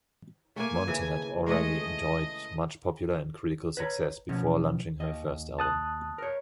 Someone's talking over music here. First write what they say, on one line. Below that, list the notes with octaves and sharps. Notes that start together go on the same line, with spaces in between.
Monte had already enjoyed much popular and critical success before launching her first album.
A3 A#3 G#5
C#3 E3
G#3 A3 D#5
B4 C#5 A#5
B2 F3 C#4
D#2 D#5
A5 D#6 F#6
A#4 C#5